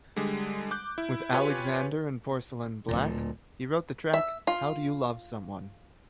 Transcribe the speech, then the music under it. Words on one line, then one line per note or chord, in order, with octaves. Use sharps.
With Alexander and Porcelain Black, he wrote the track How Do You Love Someone?
D3 G3 G#3
D6 F#6 G6
E4
F4 G4 B4 C#5 G#5
D1 G#1 A#2
E5
F4